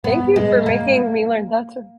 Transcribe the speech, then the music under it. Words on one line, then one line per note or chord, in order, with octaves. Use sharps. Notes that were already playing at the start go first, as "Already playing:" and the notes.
Thank you for making me learn that's a
B3
G#3
A#3